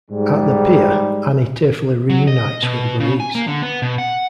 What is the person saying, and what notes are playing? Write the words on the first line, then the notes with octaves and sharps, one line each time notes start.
At the pier, Annie tearfully reunites with Louise.
G#2 G3
F#3
D#5
B2
C#3
G#5
A#3
D3
B3
B2
F#5